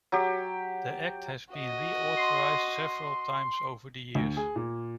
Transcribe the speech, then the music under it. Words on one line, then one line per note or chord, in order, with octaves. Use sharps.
The act has been reauthorized several times over the years.
F#3 G4
F#4 D#5
C6
D2
G#4
A#2